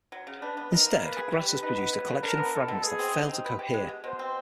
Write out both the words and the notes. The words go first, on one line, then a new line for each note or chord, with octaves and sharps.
Instead Grass has produced a collection of fragments that fail to cohere.
F#3
C#3
D4 B4
B3
D#4 A#4
A#3
A#3 B4
G#4
G3 B4
D3
D#4 B4
B3
F#3
C#3
D4 A#4
B3
G#3 A4
B2
B2 G#4
C4
D#4
C4
B4
G4
G#3
B2
B2 C5
C4